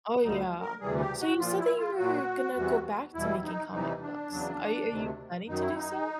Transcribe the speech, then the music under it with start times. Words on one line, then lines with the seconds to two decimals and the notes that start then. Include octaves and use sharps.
Oh, yeah, so you said that you were gonna go back to making comic books, are y are you planning to do so?
0.23 D2 D3 G3 D#4
0.61 A#4
0.80 D2 C3 E3 G3 G#4
1.01 G4
1.20 F#4
1.39 A#2 F3 F4
1.59 E4
1.78 F4
1.97 A#2 F#3 F#4
2.57 E2 C3 E3 G3
3.15 E2 B2 G3 E4
3.44 D#4
3.72 E2 C3 E3 G3 D#4
4.02 D4
4.31 E2 C#3 F#3
4.89 D2 C3 D#3
5.48 F#2 D#3 F#3 D#4
5.61 E4
5.75 D#4